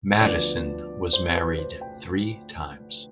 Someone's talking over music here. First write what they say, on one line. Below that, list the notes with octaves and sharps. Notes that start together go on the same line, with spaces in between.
Madison was married three times.
D2 D3 F3 B3 D5
C5
B4
C5
G5